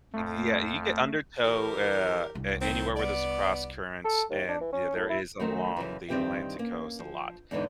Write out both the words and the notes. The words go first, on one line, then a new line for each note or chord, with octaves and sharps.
Yeah, you get undertow, uh, a anywhere where there's a cross current, and there is along the Atlantic Coast a lot.
F2 A3
E3 G4 A#4
C2 D4
D#3 C4
B3 D5
A4
D#2
D4
E3
C#4
A2
E4
D#3 F#3 A3 C#4 A#4 C5
F#2 C#3 E3
G2 D#3 C4 G4 B4 E5
A#3 C#4
F3
E2 G#2 D3 E3 D#4